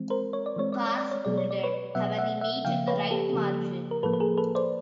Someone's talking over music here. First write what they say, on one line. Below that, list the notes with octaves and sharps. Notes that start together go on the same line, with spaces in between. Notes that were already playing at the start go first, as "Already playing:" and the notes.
Cars bolded have an image in the right margin.
Already playing: E3 G#3 C4
A#4 C5
C#5
D5
E3 G#3 C4 C#5
D5
C#5
D5
C#5
B2 F#3 B3 D5
C#5
D5
B4 C#5
B2 F#3 B3 E5 F#5
E5 F#5
E5 F#5
C#3 F3 A#3 F5 G5
B4 C#5
G4 A4
C#3 F3 A#3
A#4
A2 F3 A#3 A4 B4
B4
G#4 A#4
A4 B4
C5 D5